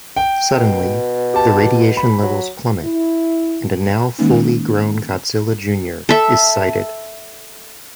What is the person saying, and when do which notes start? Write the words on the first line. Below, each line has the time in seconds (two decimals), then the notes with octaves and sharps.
Suddenly, the radiation levels plummet and a now fully grown Godzilla Junior is sighted.
0.17 G5
0.57 B2
1.34 G4 A5
1.97 B5
2.22 F#3
2.83 E4
4.18 D#3 G#3 A#3 C#4 D#4
6.09 A4 E5